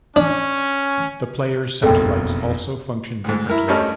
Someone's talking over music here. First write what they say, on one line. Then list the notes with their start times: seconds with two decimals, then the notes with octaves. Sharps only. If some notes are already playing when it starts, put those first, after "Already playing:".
The player's satellites also function differently.
0.16 C#4 D4
1.83 F#1 B1 F2 A4 G5
3.24 D2 G#2
3.50 E4 A#4
3.68 G2 G3 A3 C#4 D#5 F6